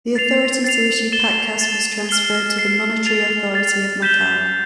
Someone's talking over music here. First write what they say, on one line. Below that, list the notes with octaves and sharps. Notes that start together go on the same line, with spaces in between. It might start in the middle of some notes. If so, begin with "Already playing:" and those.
The authority to issue patacas was transferred to the Monetary Authority of Macau.
A6 C7 F7
A6 C7 F7
A6 E7 G7
A6 E7 G7
F6 C7 G7
F6 C7 G7
A6 C7 F7
A6 C7 F7
G6 B6 E7 G7